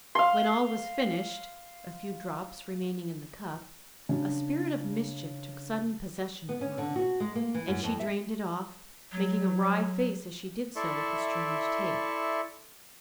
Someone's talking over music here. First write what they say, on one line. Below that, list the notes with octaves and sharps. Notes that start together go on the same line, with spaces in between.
When all was finished, a few drops remaining in the cup, a spirit of mischief took sudden possession of Monica, and she drained it off, making a wry face as she did so at the strange taste.
F5 C6
C#3 D4
B3
C#4
D3
F#4
G#3
A#3
E3
F#2
F2
E5
F#3
E4 A4 D5 E5 C6 C#6